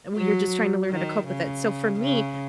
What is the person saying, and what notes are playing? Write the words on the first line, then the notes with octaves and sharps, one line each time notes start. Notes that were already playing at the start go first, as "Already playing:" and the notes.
and when you're just trying to learn how to cope with it, so for me,
F#3
D#3
C#3
C#3